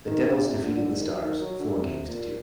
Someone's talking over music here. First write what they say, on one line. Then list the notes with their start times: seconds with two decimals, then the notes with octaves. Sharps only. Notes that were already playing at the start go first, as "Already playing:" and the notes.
The Devils defeated the Stars, four games to two.
0.06 D#3
0.25 D3
0.44 C3
0.63 D3
0.77 D3
0.92 D#3
1.07 F#3
1.20 D#3
1.40 F#3
1.59 D3
1.79 C3
2.07 A#2